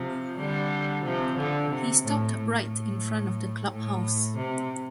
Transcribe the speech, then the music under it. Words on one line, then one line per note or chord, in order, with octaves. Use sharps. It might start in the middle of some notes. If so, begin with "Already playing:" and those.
He stopped right in front of the clubhouse.
Already playing: C3 F3
D3 G3
C3 F3
D3
C3
A2
A2
A2
C3